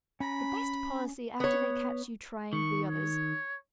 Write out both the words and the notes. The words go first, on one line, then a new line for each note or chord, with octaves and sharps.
The best policy after they catch you trying the others.
C#4 A#5 B5
B3 C#5
D#3 C#6
C#5